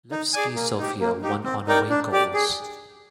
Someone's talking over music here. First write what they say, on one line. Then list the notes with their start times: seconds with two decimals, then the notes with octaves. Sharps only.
Levski Sofia won on away goals.
0.12 D#4
0.34 G#4 D5 G#5
0.56 A#3
0.78 D#4 G4
1.00 A#3
1.22 D#4 G4
1.44 C4
1.67 D#4 A#4 D5 G5
1.90 D4
2.12 G4 D5
2.34 G#4